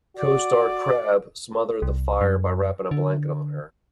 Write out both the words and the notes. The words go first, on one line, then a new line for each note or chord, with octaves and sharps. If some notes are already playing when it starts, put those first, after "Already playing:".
Co-star Crabbe smothered the fire by wrapping a blanket on her.
F#4 D5
C2
F#2
D3